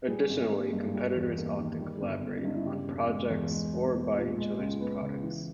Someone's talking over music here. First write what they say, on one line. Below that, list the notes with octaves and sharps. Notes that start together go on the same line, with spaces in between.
Additionally, competitors often collaborate on projects, or buy each other's products.
G3 G#4
G#1
A#3
G2
G3
E2
A#3
D#3
G3
G1
G1
C#4
G2 D#4
E4
C#3 G4
E1
G#3
E2
G#3
B1
B3
A#2
G#3
C#2
B3
C#3
E3